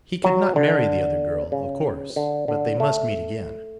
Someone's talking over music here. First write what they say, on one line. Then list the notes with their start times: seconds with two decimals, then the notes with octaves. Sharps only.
He could not marry the other girl, of course, but they must meet again.
0.24 F#3
0.56 D3
1.52 C#3
2.16 D3
2.48 D3
2.80 A3